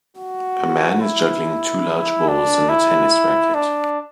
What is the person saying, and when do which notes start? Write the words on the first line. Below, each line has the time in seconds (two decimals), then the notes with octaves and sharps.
A man is juggling two large balls and a tennis racket.
0.17 F#4
1.01 E4
2.28 D4
2.69 E4
3.54 D4